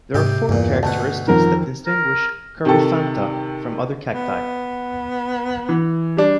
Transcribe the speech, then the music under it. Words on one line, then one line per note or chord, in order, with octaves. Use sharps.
There are four characteristics that distinguish "Coryphantha" from other cacti.
G#2 C3 G4
E2 G2 A#2
D2 B2 F#5 A5
F2 D#3 A#4
A#4
C3 D#3 A4
B3
E3
G3 D4